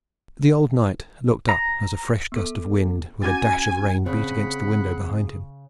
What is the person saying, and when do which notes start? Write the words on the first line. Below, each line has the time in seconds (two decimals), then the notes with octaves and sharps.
The old knight looked up as a fresh gust of wind with a dash of rain beat against the window behind him.
1.49 A#5
2.32 B3 A4
3.22 C#4 F#4 G#5 A6
4.06 C#3 C4 G#4 F#5 B5